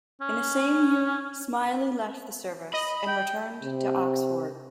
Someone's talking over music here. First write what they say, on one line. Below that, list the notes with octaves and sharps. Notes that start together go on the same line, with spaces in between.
In the same year, Smiley left the Service and returned to Oxford.
C#4
D#5 B5
G5
C3